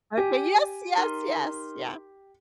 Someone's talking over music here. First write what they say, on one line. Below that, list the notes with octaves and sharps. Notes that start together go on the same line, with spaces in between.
Okay yes! Yes, yes, yeah.
G4 G#5
D#4 A#4 C6